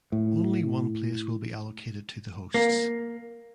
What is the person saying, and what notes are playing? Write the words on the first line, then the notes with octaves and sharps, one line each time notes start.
Only one place will be allocated to the hosts.
A2
A#3